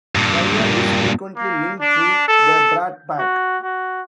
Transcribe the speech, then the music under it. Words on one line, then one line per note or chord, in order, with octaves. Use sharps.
Cryer is frequently linked to the Brat Pack.
G2 A#2
A#3
D4
A4
F#4
F#4